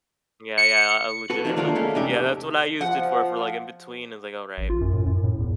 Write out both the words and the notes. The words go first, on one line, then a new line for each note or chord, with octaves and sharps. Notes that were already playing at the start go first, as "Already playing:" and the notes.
Yeah, yeah, I legitimately yeah, that's what I used it for for like, in between, it was, like, "Alright."
C#7
F#4 A4 B4
D#3 F3 A#3 C4 D4
A3 A#3 D4 F4 F#4 A#4
G#3 A3 C#4
C2 F2 D4 D#4 G4 E5
F3 F#5
A1
F4
F#2
A2
F#2
A2
E2